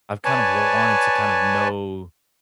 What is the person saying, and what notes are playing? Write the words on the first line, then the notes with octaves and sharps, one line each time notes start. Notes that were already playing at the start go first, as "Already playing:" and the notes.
I've kinda wanted to kind of know,
B4 C#5 D5 G#5 A5